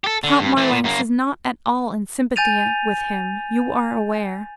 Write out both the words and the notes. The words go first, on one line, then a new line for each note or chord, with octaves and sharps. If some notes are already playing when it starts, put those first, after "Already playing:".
Count Marlanx is not at all in sympathy with him, you are aware.
G4 A4
D3
G2
E3 A3
A#2
F#2 A#3
G#5 G6 A6 D#7 F7